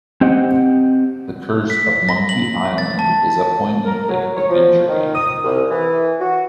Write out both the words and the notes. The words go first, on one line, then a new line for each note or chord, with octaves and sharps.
"The Curse of Monkey Island" is a point-and-click adventure game.
C4 G4 D#5 F#5
B6
A#6
F#7
A6
A5
A#4
F#3
C#5
F3
D#3
D#6
C2
E3
F#4